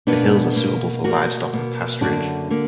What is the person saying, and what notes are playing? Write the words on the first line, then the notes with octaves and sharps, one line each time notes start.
The hills are suitable for livestock and pasturage.
B2 A#3 B3 D4
B2 A#3
B2 A#3 F#4 A#4
B2 A#3
F#2 D3 A#3 D4 F#4
D3 A#3